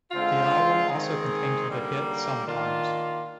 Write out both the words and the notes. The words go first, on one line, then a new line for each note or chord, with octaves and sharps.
The album also contained the hit "Sometimes".
D3 G#3 C4 F4
D#3 G#3 C4 D#4 G#4
D3 G3 A#3
D#3 A#3 D4 F4